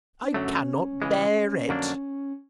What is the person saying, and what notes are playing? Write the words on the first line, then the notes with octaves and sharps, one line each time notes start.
"I cannot bear it!"
D4
F#2 D3 F#3 A3 C#4
C#3 E3 G#3
F2 D3 F#3 A#3 D4